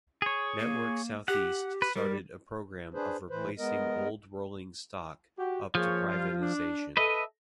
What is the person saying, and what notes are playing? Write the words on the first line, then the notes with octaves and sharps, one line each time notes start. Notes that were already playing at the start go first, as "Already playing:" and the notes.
Network SouthEast started a programme of replacing old rolling stock up to privatisation.
G#4 C#5
A#3
G4 F#5
B4
G3 A#4
D4 G#4 B4 C5
A2 E3 B4 C5
G#3 B3 A#4 D#5
F#4 G4
F3 A#3 G#4 C#5
G3 F4
D4
A4 B4 D#5 E5